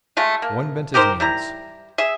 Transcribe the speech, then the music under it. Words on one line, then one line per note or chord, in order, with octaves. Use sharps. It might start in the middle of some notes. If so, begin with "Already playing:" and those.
One bent his knees.
G#3 A3 F4
A#3
D#4 G4 A#4 C5
G3 E4 A#5
G#4 E5